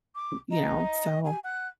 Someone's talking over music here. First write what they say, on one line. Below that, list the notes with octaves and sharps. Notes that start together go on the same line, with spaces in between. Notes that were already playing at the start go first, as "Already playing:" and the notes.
you know? So,
D6
D#5 A#5
G4 G#5
F#5 F#6